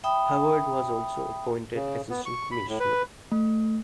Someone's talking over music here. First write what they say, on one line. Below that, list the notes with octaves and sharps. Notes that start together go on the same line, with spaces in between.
Howard was also appointed Assistant Commissioner.
E5 G5 B5 D#6
C#3
B3
C#6
B5
A2
B4
A3